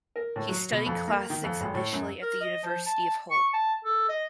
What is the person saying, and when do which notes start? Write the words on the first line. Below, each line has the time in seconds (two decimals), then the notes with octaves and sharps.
He studied Classics initially at the University of Hull.
0.16 A#4
0.36 A2
0.49 F#3
0.72 B2
0.86 F2
1.08 A#3
1.30 D#3
1.44 F2
1.61 G#1
1.74 A2
1.93 F#2
2.22 A#4
2.41 D#5
2.64 F3
2.86 A5
3.31 C#6
3.53 A5
3.85 A4
4.09 D#5